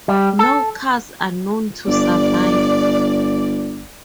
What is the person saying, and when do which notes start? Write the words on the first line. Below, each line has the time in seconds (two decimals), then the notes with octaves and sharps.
No cars are known to survive.
0.08 G3
0.39 A4
1.87 G1 D5